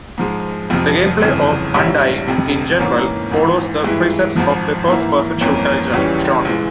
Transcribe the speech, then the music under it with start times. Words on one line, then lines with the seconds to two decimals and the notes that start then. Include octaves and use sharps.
The gameplay of "Undying" in general follows the precepts of the first-person shooter genre.
0.18 G#2 F3 G#3
0.70 F1 F2 C3 F3
1.22 G1 F2 C#3 E3
1.74 A#1 G#2 G3 C#4 E4
2.27 F1 F2 C3
2.79 G#2 E3 A#3 C#4
3.31 G#1 G#2 E3
3.84 G2 E3 G#3 E4
4.36 G#1 G#2 F3
4.88 G#2 E3 A#3 E4
5.41 G1 F2 E3 A#3 C#4
5.93 C#2 C#3 E3 G3 C#4
6.45 A#1 E3 G#3